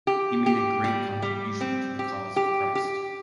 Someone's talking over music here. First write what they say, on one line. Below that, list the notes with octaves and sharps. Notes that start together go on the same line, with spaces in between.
He made a great contribution to the cause of Christ.
G4
G4
G3
G3
C4
G4
G4
G4